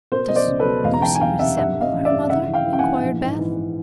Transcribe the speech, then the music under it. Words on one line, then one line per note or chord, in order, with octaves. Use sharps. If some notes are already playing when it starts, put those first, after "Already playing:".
"Does Lucy resemble her mother?" inquired Beth.
B2 A#4 C5
B2 D#5
C5 D5
C#2
A4 B4
B2
E1 D#5 F5
A#5
E2 G5 A5
G#5
E1 F5 G5
C3 E5 F#5
G2 E5 F#5
G2
D#5 F5
A1
D5 E5
G2
C#3 E5 F#5
E3
F5 G5
E3
G5
F#5 G#5
E3
A#1
G#2
E3
E3